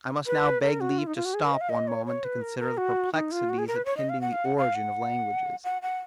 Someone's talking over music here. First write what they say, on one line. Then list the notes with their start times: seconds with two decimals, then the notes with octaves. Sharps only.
I must now beg leave to stop one moment to consider the perplexities attending the origin of languages.
0.26 B4
0.62 A#4
0.80 F#4
0.98 F4
1.07 D#4
1.16 F4
1.25 F#4
1.34 G#4
1.43 A#4
1.52 D#5
1.61 F5
1.69 D#5
1.88 C#5
2.06 C#5
2.24 B4
2.41 A#4
2.59 A#4
2.77 F#4
3.13 D#4
3.32 F4
3.49 F#4
3.58 G#4
3.67 A#4
3.76 B4
3.85 C#5
3.97 D#5
4.09 F5
4.21 F#5
4.33 F5
4.45 F#5
4.57 F5
4.75 F#5
5.64 F#5
5.82 F#5